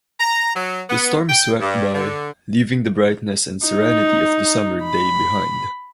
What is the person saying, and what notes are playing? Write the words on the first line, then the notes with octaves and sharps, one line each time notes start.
The storm swept by, leaving the brightness and serenity of the summer day behind.
A#5
F#3
B3
G5
G2
D3
D#4
B5